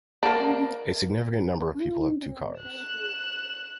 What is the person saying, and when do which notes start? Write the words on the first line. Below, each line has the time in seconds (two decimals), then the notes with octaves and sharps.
A significant number of people have two cars.
0.23 A#3 D4
2.59 F#6 E7